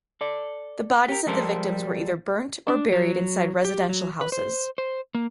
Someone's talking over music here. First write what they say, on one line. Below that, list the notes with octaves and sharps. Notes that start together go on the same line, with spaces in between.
The bodies of the victims were either burnt or buried inside residential houses.
A4 D5
G4 A#4
F3 G3 G#3 A4 A#4 C5
D4
F#3
G4
F#3
B4
C5
C5
A#3